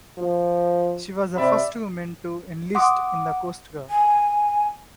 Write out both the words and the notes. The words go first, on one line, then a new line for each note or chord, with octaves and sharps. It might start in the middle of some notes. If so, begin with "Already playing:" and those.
She was the first woman to enlist in the Coast Guard.
F3
C3 D5 E5 B5
F#5 C6 D6 D#6
G#5